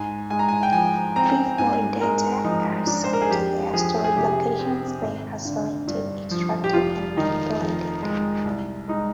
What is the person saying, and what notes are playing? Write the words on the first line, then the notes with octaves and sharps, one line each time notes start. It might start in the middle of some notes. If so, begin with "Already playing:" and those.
Before data are sent to their storage locations, they are selected, extracted, and manipulated.
Already playing: G#2 G#5
G#3 G#5
A#5
G#5
G5
F3 G#5
C4 A#5
G#2 G#5
G#3 A#4
F3 D#4
D4
C5
A#4
G#4
F2 G4
F3 G#4
G#4
C3 G4
C4
G#1
D3
G2
F3
G4
F1 F4
D#3 D#4
F2
G#3
C2
G#3 D#4